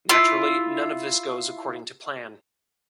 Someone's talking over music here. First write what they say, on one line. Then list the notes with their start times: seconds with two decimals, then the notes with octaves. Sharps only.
Naturally, none of this goes according to plan.
0.09 E4 F4